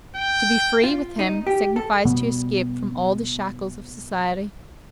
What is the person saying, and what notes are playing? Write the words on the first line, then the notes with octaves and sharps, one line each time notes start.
To be free, with him, signifies to escape from all the shackles of society.
G5
F4
D#4
G4
A4
B2 G3 B3